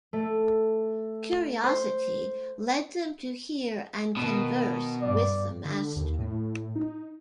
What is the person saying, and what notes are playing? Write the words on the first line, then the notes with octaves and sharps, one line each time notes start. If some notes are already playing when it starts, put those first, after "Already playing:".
Curiosity led them to hear and converse with the master.
A3
C5
B2 D#3
G2 D5
D3
D#2
A2
D#4